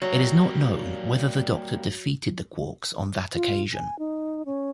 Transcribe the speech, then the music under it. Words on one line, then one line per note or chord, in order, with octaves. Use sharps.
It is not known whether the Doctor defeated the Quarks on that occasion.
F#3 G3 A#3
F4
G#5
D#4
C#4